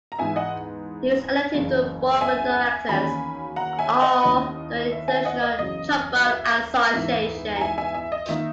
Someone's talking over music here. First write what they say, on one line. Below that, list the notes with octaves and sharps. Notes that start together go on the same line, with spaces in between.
He was elected to the Board of Directors of the International Trombone Association.
A#5
G#2 E3 B3 D#4 E5 G#5
D#5 F#5
F#1 E2 C#3
E5 G#5
E2 D#3 F#3 A#3 C#4 G#5 B5
F#5 A#5
E5 G#5
D#5 F#5
D#2 D#3 A#3 C#4 E4 D#5
E5
E5 G#5
D#5 F#5
D#5
F#1 E2 C#3 F#3 D#5
E5
G#2 E3 B3 D#4 E5
A#5
E5 G#5
E5 G#5
E5
D#5
D#3 A#3 D#4 E5